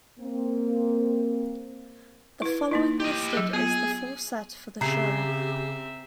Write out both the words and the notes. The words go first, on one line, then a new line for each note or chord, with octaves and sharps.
The following listed is the full set for the show.
A#3 C4
E4 B4
A#3 D#4 E4
G4 D#5
F#3 G#4
B3 F4 G#4
C#3 C4 G4 E5 A#5 C7